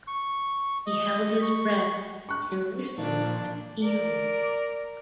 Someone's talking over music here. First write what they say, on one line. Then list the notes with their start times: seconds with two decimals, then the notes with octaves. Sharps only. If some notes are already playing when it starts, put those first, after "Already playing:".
He held his breath, and listened at the key-hole.
0.07 C#6
0.86 D#5
1.42 C#6
2.29 C#6 F#6
2.98 A#2 F3 D4
3.83 A#4 D5